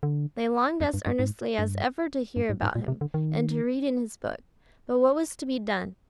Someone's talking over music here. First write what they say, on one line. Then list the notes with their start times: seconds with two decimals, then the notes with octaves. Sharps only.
They longed as earnestly as ever to hear about Him, and to read in His Book; but what was to be done?
0.03 D3
0.81 F2
0.94 G2
1.06 G2
1.19 G#2
1.59 G2
2.36 G2
2.49 G#2
2.62 G#2
2.75 A#2
2.88 C3
3.01 D3
3.14 D#3